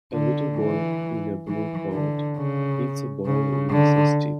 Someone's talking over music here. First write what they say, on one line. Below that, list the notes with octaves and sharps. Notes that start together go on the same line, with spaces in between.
A little boy in a blue coat hits a ball with a stick.
D3
E3
E3
D3
C#3
C#3
D3